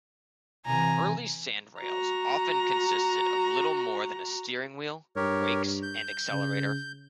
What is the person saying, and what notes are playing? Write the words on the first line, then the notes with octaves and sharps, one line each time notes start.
Early sandrails often consisted of little more than a steering wheel, brakes and accelerator.
C3 E3 G#5 A#5
F#4 A#5
G2 G4 A#4 C#5
G6
C#3